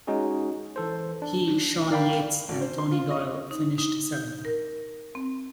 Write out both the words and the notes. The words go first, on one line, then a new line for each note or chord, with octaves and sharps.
He, Sean Yates and Tony Doyle finished seventh.
G#3 C#4 D#4 F#4 G#4
E3 A4 C5
D4
A#4 D5 F5 G5 B5
G#1
C5
C6
F4
D#5
D#4
D#4
G6
A#4
C4